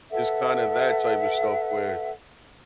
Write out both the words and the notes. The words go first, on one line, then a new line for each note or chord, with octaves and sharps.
just kinda that type of stuff where
A4 B4 E5 F#5